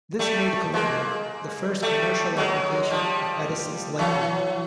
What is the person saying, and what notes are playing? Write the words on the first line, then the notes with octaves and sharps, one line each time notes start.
This made "Columbia" the first commercial application of Edison's light bulb.
G3 A3
G#3 A#3
G3 A3
F#3 G#3
F3 G3
E3 F#3